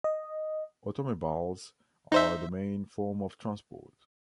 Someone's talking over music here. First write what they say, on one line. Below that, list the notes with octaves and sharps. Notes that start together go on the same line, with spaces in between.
Automobiles are the main form of transport.
D#5
D#4 C5 E5